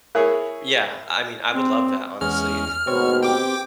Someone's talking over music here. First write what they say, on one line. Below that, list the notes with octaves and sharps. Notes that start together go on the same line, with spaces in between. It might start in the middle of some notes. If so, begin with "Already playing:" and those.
Yeah. I mean, I would love that, honestly.
E4 G#4 A#4 C#5
C4
E2 G#3 C#4 F6
D#2 G#2 B2 C4 C#5
G4 G5 D6